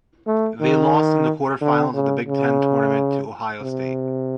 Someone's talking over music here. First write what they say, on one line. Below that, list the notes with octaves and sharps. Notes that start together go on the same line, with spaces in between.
They lost in the quarterfinals of the Big Ten Tournament to Ohio State.
A3
D#3
D3
C#3
C#3
C3